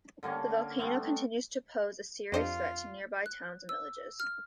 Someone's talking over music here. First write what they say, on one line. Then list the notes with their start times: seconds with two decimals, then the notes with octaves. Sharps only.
The volcano continues to pose a serious threat to nearby towns and villages.
0.23 D3 G3 A#3 C#4
0.79 G3 A3 B3 C4
2.32 F2 D4 F4 G4 C5 D5 D#5
3.26 F#6
3.69 E6
4.20 F6